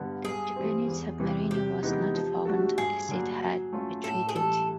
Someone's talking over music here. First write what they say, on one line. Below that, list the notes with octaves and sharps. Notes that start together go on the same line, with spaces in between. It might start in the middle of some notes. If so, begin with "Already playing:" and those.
The Japanese submarine was not found as it had retreated.
Already playing: G2 D3 G3 B3
G2 G#4
E3 G3 C4
E2
C3 E3
C3 G4
E3 G#3 B3 D#4
F3
A3 D4 F#4 A4
G2 G#4
D3 F#3 A#3 D4
F#3
A3 C#4 F4
A2 A4
G#4
E3 G3 A4